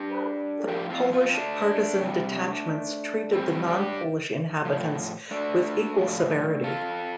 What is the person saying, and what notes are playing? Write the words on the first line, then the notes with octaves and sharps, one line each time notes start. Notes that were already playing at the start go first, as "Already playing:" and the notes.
The Polish partisan detachments treated the non-Polish inhabitants with equal severity.
Already playing: D4 G4
A2 F3 D4 G4
C4 F4
C4 F4
A3 D4
C3 G3
A2 G3 C4
D4 G4
A2 F3
A3 D4
A2 F3
F4 A4